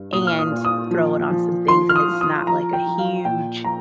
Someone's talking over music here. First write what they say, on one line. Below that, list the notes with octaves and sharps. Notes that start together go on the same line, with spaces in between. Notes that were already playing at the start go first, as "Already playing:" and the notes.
and throw it on some things, and it's not, like, a huge
Already playing: G2
A#2 D#6
F6
D#6
A#2
D#6
F3
F3
F3 C6
F6
D#6
F3
D#6
F3 A#5
G5
F3
F5
A#2 G5
F3 A#5